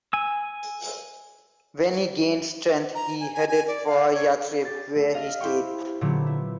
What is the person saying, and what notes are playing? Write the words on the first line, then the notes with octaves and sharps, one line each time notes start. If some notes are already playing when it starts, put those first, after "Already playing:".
When he gained strength, he headed for Yathrib, where he stayed.
G#5 E6
A#5
G#5
G#5
G#5
D5
F5
C#5
G4 A6
A3
D#5 F5 F6 A#6
E4 G4 C5 G5 C#6
A#2 D3 E3 F#3 B3 C4
E4